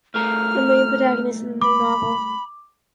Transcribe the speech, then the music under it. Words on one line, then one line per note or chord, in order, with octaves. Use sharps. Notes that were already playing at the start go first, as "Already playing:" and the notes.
The main protagonist in the novel.
C2 A3 A#4 F6
B5 D6